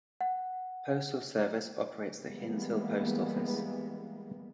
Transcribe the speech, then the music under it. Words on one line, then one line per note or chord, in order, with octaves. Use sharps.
Postal Service operates the Hinesville Post Office.
F#5
E3 G3 G#3 A#3 B3